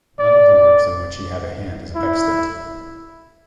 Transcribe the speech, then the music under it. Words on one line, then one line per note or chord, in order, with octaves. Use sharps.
None of the works in which he had a hand is extant.
D5
E4